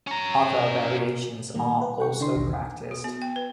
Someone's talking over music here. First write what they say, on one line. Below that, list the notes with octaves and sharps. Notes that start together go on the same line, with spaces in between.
Other variations are also practiced.
C#4 A#5
A#2 D#3 G3 A#3
B4
C5 F#5 G5 C#6
D3 D4 E4 C6
B1 E2 D#3
F#4
B3
G5
B4